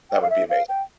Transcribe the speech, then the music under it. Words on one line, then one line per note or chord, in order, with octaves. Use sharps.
that would be amazing.
G5
F5
E5
F5
G5